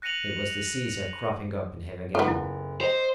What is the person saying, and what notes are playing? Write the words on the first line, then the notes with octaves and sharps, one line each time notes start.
It was the Caesar cropping up in him again.
F#6 A#6 C#7 D#7 F7 F#7
C#3 G#3 B3 D#4 F4 A4
F#1 E4
C5 D#5